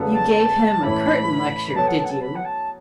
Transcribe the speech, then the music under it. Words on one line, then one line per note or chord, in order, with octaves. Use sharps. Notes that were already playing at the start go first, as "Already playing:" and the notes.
'You gave him a curtain lecture, did you?'
Already playing: E2 C#3 F#3 B3 A4
A5
A2 E3 C#4 E4 A4 B5
F#3 B3 A4 C#5 A5
F#5
A5
F#5
A5
B5
F#5
A5